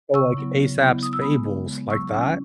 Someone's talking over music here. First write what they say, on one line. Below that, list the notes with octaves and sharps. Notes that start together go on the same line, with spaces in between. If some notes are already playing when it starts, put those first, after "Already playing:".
Oh, like Aesop's fables, like that?
C#3 C#6 E6
F#3 B3 E4
C#3
F#3 B3 E4
C#3 D#6
E6
G#3 B3 B5 D#6
C#3
G#3 B3
F#3 C#6 E6
C#4 E4